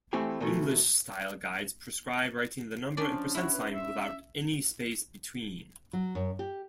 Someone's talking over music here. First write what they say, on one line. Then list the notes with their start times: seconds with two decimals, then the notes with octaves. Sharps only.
English style guides prescribe writing the number and percent sign without any space between.
0.13 E3 A3 C4 E4 G4 G#5
0.40 B2 D#3 E3 A3
2.97 C#4 D4 C#5 D5
3.09 F3
3.35 E4 F#4 C#5
3.53 B4
3.74 E5
5.93 F#3
6.15 F#2
6.39 G4